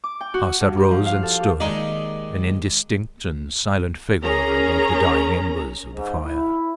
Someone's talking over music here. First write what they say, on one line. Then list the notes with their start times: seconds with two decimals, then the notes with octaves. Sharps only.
Arsat rose and stood, an indistinct and silent figure above the dying embers of the fire.
0.04 D6
0.21 G5
0.34 F#4
0.61 G2
0.77 G4
0.91 F3
1.06 F5
1.23 A4
1.40 G4
1.60 D#2 G#3 D#4 D5
4.22 C#4 G#4 A#4 A#5
5.94 G#2
6.25 E4